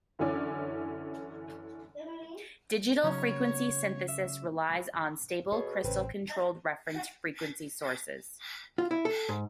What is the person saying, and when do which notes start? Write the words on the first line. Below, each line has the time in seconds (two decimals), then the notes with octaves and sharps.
Digital frequency synthesis relies on stable crystal controlled reference frequency sources.
0.19 F#2 D3 E3 C#4 D5
3.03 C#3 F#3 C#4 C#5
4.08 E5
5.52 B2 G#4 A4 C#5
5.84 A1 C#3 C4 B4
8.78 F4
8.91 E4
9.05 A4
9.29 G#2